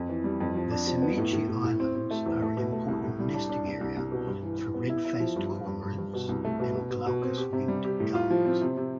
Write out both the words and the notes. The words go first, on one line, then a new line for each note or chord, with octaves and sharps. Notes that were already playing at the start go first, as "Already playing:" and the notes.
The Semichi Islands are an important nesting area for red-faced cormorants and glaucous-winged gulls.
Already playing: F2
E3
G3
F2
F3
D4
F3
B3
A2
A2
A2
A2
C4
C4
A3
E2
A3
B2
A3
C2
A2
G3
D4
D4
C2
C2
C2
B2
G2
E3
E3
B3
E4
E4
F3
G2
F3
G2
G2
G2
B2
C2
A3
B2
B2
B2
B2
C4
G4
C3
G3
G4
A2
F4
F3
C4
C3
C3